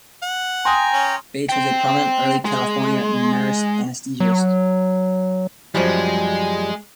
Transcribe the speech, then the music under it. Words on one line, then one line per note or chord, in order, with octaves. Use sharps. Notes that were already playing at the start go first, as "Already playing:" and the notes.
Bates was a prominent early California nurse anesthetist.
F#5
G5 G#5 A#5 C6 D#6
C#4
C5 G5
G#3
F#3
F#2 F3 G3 G#3